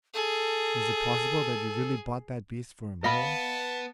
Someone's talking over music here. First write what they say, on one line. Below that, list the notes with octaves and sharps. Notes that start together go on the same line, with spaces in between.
'Is it possible that you really bought that beast for a mule?'
G#4 A4
B3 D#5 F5 A5 B5